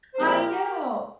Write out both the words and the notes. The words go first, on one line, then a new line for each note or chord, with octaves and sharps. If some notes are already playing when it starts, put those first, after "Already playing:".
I know!
C5
A#2 F3 G#3 C4 G4 A#4